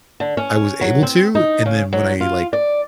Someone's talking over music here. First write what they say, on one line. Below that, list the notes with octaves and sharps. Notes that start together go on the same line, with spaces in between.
I was able to, and then when I, like,
D3
C#4
F#3
C4
D#4
C#3
F#3
F4
D5